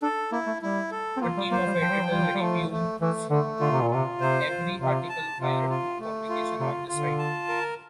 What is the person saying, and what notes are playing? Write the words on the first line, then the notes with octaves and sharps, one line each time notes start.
A team of editors reviews every article prior to publication on the site.
D4 A4
A#3 E4
A3
G3 E4
A4
C4
A#3 F4
G3
A#3 C5
G3
F3 G5
G3
F3
G3 F4
F3
G3
F3 A3
A3
E3 A3
D3 A3
D3 F4
C3
A#2
C3 F4
C3 C5
F4
C3 F4
A5
C3 F4
F4
A3
F4
C3 F4
D3 F4
A5
A#4